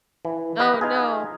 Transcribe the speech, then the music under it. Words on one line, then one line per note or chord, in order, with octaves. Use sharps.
Oh, no.
E3
G4 B4 D#5
D#4 F4 G#4